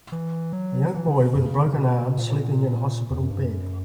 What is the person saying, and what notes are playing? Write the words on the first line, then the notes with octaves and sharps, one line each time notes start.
A young boy with a broken arm sleeping in a hospital bed.
E3
F#3
E3
C#3
B2
F#2
C#3
D3
C#3
B2
A#2
E2
F#2
G2
F#2